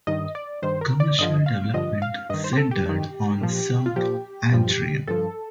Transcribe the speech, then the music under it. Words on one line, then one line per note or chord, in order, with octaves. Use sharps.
Commercial development centered on South Antrim.
G2 D#3 D#5
D5
G2 D#3 C5
A#4
D5
G2 D3 F3 D#5
F5
G2 D3 F3 D#5
F5
G2 D#3 D#5
C5
G4
A4
G4
G2 D#3
A#2 F3
F4
A#2 F3 G4
G2 F3
G2 F3 A4